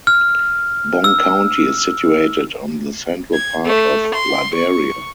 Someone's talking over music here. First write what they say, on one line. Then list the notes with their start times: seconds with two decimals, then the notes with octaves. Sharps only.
Bong County is situated in the central part of Liberia.
0.07 F6
1.04 E6
3.33 G#6
3.66 A3
4.14 C6
4.54 C#6